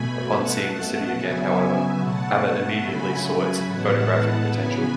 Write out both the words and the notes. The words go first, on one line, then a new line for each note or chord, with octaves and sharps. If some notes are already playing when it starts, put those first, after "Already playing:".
Upon seeing the city again, however, Abbott immediately saw its photographic potential.
Already playing: B2 A3 G#5 B5
B2 A3 F#5 A5
C#3 F#3 B3 E5 G#5
B2 A3 F#5 A5
C#3 F#3 A3 G#5 B5
A2 E3 G#3 B3 F#5 A5
C#3 F#3 B3 G#5 B5